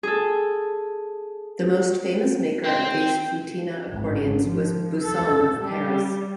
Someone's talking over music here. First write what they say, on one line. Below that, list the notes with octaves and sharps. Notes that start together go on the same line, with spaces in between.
The most famous maker of these "flutina" accordions was Busson of Paris.
G#4 A4
C4 C5 G5
G#1
F3
A4
G3